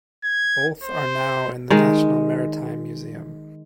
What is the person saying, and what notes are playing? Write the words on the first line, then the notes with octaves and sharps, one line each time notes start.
Both are now in the National Maritime Museum.
G#6
C5
D#3 G#3